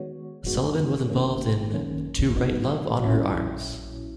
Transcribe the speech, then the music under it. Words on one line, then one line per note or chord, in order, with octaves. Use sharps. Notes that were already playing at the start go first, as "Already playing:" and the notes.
Sullivan was involved in To Write Love on Her Arms.
Already playing: D#3 G#3 B3 F#4 C#5
F#2 D#3 G#3 B3 F#4
G#1 F#2 D#3 A#3 C#4
G#1 F#2 D#3 A#3 C#4
B2 F#3 B3 D#4
A#1 A#2 F#3 C#4 E4